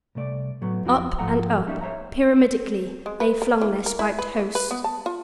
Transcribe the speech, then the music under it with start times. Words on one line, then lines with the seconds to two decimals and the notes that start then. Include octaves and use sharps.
Up and up, pyramidically, they flung their spiked hosts.
0.15 C2 C3 A3 D5
0.61 A2 F#3 A3 B3
0.85 F2 C4 E4 F#4 G4
1.18 G#2 F3 A3 F#5 A#5
1.67 G3 C#4 D#4 E5
1.81 C5 C#5 E5 A#5
3.06 G#3
3.20 B4
3.42 A#4
3.61 E3
3.86 A#4
3.99 E4
4.19 B4
4.39 E3
4.55 B4
4.71 B3
4.84 A5
5.06 F4